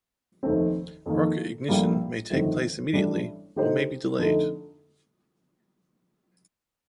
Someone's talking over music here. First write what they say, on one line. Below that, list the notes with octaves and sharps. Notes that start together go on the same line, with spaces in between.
Rocket ignition may take place immediately, or may be delayed.
F1 D#2 D#3 A3 C4
F2 D#3 A#3
A#1 A2 G3 A#3
G1 F2 D#3 A3 C4
A1 A2 G3 D4
D3 A3 D#4 G4 C5
F2 D3 A3 D#4